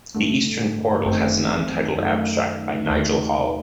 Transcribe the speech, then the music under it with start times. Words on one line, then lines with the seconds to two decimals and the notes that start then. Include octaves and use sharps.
The eastern portal has an untitled abstract by Nigel Hall.
0.15 G2 D3 A3
1.05 G1 F#2 D#3 A3 C4
1.96 F#2 D#3 A3 D#4
2.86 D#2 D#3 A3